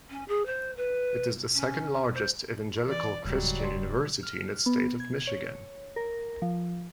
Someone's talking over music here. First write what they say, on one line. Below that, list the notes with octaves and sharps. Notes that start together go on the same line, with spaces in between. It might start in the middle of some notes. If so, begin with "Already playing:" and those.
It is the second-largest Evangelical Christian University in the state of Michigan.
C#4
G#4
C5
B4
C#4
C5
E3 D5
D#1 G#2 C#3 F#3 G3
D5 C6
F6
B3
G#6
C#5
A#4
F3